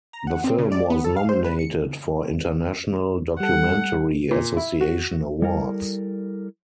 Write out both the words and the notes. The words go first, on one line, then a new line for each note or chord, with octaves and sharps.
The film was nominated for International Documentary Association awards.
A#5
F#5
C4
C#3
D5
B3
A4
F5
C5
B4
C#7
G3 A4 F#5
A#2
E4
F#4
G3 E4 A4 A#4 D5